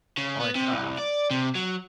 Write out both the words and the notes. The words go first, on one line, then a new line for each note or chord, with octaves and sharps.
Like, ugh,
C#3
B3
C3
C2
D5
C3
F#3